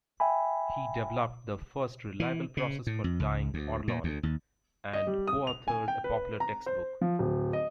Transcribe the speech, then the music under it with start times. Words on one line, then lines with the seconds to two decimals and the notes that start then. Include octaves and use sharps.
He developed the first reliable process for dyeing Orlon and coauthored a popular textbook.
0.20 E5 G5 G#5 B5
2.20 E3
2.57 C#3
2.87 A2
3.04 F2
3.20 C#2
3.54 D2
3.88 A#2
4.04 D2
4.23 D#2
4.93 D#5
5.07 G3
5.27 D#6
5.47 F7
5.68 G#5
5.88 G5
6.04 B4
6.40 A#5
6.66 C5
7.01 F3
7.19 D1
7.53 D#5